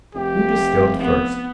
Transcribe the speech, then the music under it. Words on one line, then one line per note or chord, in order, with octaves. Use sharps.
Who distilled first?
F1 G4
B3